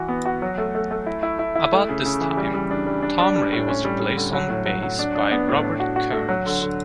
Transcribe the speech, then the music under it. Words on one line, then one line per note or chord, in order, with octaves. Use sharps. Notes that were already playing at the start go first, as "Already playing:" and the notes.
About this time, Tom Ray was replaced on bass by Robert Kearns.
Already playing: E3 F#4
B3
F#4
F#3
A3
A3
A3
E4
E4
E4
E4
A3
C#3
C#3
E3
G3
G3
D4
G3
D4
D4
G3
A2
C#4
G3
G3
D3
F#3
A2
F#3
F#3
D4
D4
B3
A2
D4
F#4
F#4
A3
F#3
D3
D3